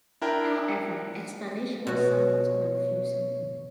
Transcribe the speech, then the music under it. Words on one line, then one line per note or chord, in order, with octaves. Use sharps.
However, explanation was somewhat confusing.
D4 E4 A#4 G5
B2 F#4 C#5